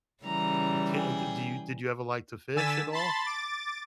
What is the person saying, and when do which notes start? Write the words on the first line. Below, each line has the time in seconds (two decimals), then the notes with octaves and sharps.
it's can d do you did you ever like to fish at all?
0.24 C#3 E3 G3 A#5
0.93 G#4 G5
2.56 D3 G#5 E6 A6 B6 E7
2.92 A5 B5 C6 A6
3.25 D6 A6